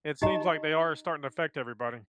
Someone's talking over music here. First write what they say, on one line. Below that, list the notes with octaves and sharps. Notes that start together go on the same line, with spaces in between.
it seems like they are starting to affect everybody.
D#4 G4 D#5 A#5